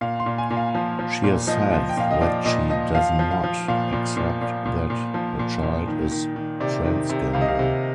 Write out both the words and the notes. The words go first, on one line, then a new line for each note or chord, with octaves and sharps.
She has said that she does not accept that her child is transgender.
A#2 F5
C6
A#2
G#5
A#2
F5
F3
F3
A#2
F3 D#5
F3
G5
A#2 F5
D#5
F3 D5
A#2 D#5
F3 D#5
F3 F5
F3
F5
F3
A#2 F5
A#2
A#2
A#2
A#2
A#2
F3
A#2
A#2
D#3
D#3
D#3
C3 D5
D#3
C3
C3 F5
D#5
F5
C3